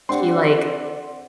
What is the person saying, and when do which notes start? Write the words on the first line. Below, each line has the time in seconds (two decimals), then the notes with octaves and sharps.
he, like,
0.09 C4 D4 G4 D5 F#5 C6